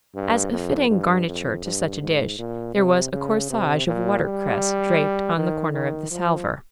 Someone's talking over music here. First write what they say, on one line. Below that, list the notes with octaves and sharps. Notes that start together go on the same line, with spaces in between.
As a fitting garniture to such a dish, there was a corsage of watercress draped on the corner of the salver.
G2
F2
G2
F2
G2
G#2
A#2
C3
C#3
C3
A#2
G3
D#3
D#3
F3